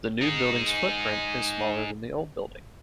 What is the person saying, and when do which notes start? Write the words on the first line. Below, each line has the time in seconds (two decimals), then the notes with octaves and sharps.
The new building's footprint is smaller than the old building.
0.21 D#4 G#4